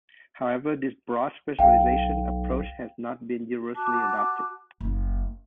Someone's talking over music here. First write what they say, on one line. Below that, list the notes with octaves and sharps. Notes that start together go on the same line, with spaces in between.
However, this "broad specialization" approach has not been universally adopted.
B1 F5 G5
F#4 A5 D6 F#6
F#1 C#4